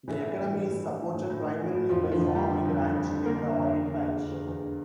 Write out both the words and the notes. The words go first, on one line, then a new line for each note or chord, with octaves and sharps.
The economy is supported primarily by farming, ranching, and the oil patch.
A2 E3 E4
E3
A2
E3
A2
E3
E3
A2
A2
E3
E3
A2
F2 F3 F4
D3
F3 F4
F2
D3 G3 G4
D3
F2
F2
F2
D3
D3 A#3 A#4
D3
F2
D3
D3
E2
D3
E2
E2